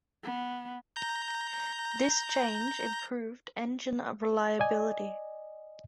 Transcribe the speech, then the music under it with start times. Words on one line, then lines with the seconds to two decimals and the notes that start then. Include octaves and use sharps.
This change improved engine reliability.
0.23 B3
0.96 A#5 G6
4.59 D5 D#5 G#5